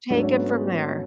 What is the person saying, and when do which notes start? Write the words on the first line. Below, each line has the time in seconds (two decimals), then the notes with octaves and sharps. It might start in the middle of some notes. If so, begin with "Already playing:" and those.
take it from there.
0.09 G#2 F#3 A3 D4
0.23 C#4
0.36 B3
0.49 C#4